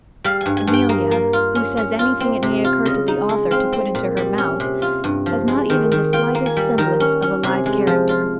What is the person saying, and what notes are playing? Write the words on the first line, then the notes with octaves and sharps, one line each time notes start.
Emilia, who says anything it may occur to the author to put into her mouth, has not even the slightest semblance of a live character.
G3 F5
G2 G#5
G#5
G2
G5
A#3 D#5
A#3
F4
C#4
C#4
F4
C4
C3
F4
C#3 D#5
D#4
G#3
C4 F5
C4
A#2
G3
C#4
C3
F4
G2
F3
G#3
D#3
D#3
F4 G5
A#3
G#5
G3
D#3 A#5
C#4
C#4
C3 G#5
G#3
F3
F4